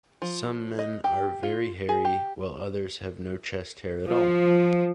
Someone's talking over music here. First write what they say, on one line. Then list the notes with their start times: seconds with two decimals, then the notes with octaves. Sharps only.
Some men are very hairy, while others have no chest hair at all.
0.22 F3
0.79 D#5
1.04 G4
1.43 F4
1.89 G#4
2.05 G4
4.07 F3